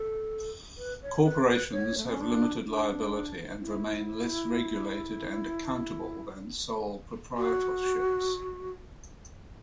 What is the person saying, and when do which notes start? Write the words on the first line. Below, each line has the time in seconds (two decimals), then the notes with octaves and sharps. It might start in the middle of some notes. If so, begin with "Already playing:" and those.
Corporations have limited liability and remain less regulated and accountable than sole proprietorships.
Already playing: A4
0.77 B4
1.02 C#5
1.25 B4
1.48 B4
1.72 C#5
1.98 A3
2.05 B3
2.12 C#4
2.20 D4
2.66 D4
3.61 E4
7.38 F#4